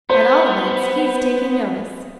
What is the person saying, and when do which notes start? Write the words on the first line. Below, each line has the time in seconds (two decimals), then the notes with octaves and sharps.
"At all events, he's taking notice."
0.10 B3 C5